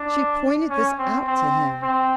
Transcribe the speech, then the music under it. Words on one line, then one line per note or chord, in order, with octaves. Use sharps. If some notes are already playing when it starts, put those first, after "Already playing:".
She pointed this out to him.
Already playing: D4
C#4
C4
C4
C4